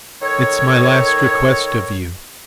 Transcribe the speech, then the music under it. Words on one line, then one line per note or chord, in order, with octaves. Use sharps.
It's my last request of you.
D#3 A4 A#4 C#5